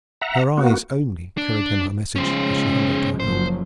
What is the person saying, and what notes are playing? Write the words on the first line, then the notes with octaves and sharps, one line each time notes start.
Her eyes only carried him her message as she held out her hand.
E5 F#5 A#5
A#3 B3 F#4
D4
C#3 F3 G#3 C#4 C5
F#1 F3 F#3 C5